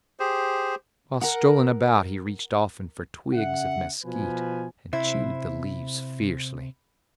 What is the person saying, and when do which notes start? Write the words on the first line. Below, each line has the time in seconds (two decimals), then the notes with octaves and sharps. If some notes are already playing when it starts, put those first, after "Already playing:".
While strolling about he reached often for twigs of mesquite and chewed the leaves fiercely.
0.20 G4 G#4 C5
1.21 A#4 F#5
3.33 C#3 E5 F#5
4.04 B2 F3 B4 G#5
4.93 C3 E4 C5